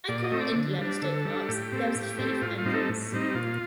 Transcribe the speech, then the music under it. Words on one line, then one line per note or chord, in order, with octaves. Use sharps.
Like all Indiana state parks, there is a fee for entrance.
A#2 D5
D#5
A3 C4
D5
D3
G3 D4
D3 A4
G3 D4
A2 G4
A3 C4
A2
A3 C4
A2 F4
F4
G3 C4 D#4
A4
A2
G3 C4 D#4
A#2 F4